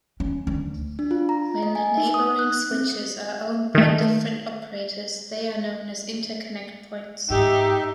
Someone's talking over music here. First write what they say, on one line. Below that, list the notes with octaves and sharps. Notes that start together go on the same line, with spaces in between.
When neighboring switches are owned by different operators, they are known as interconnect points.
C#4
D2
D4
F4
A#5
D#5
G#5
D#4
D#6
F#6
C4
D#3 A3
G#2 D#4 G4 E5